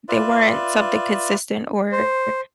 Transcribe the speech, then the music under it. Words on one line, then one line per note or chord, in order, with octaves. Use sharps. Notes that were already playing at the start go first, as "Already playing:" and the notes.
they weren't something consistent or r
F4 B4 D5 E5
C5